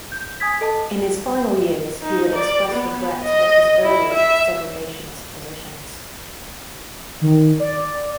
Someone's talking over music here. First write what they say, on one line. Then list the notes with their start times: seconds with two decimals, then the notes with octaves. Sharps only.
In his final years, he would express regret at his earlier segregationist positions.
0.12 G6
0.40 G#5 D#6 G#6 B6
0.61 A4 D#5 A5
2.02 D#4
2.35 D5
2.72 B3
3.24 D#5
3.82 E4
4.14 E5
7.21 D#3
7.60 D5